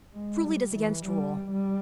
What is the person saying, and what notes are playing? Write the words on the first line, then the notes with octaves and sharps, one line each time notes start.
Truly it is against rule.
G#3
G3
E3
G3
G3